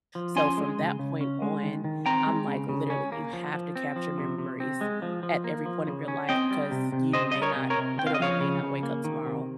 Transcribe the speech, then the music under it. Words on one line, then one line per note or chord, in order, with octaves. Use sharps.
so from that point on, I'm like, literally, you have to capture memories at every point of your life, 'cause you may not literally may not wake up tomorrow,
F3
C#4 G#5 C6
G#3
C#3
C#3
C#4
G#3
D#3
D#3
C4 G5 A#5
G#3
C#3
C#3
C#4
A#3
F3
F3
C4
F3
C3
C3
C4
G#3
F3
F3
A#3
F3
C#3
C#4
C4 D#5 G5
G3
C3
C3
C4 C5 D#5
G3 D#5
A#4 C#5
C3
A#4 C#5
C3
C4 G5
F5
D#5
F3 C#5 F5
C#3
C#3
A#3
D#3
C3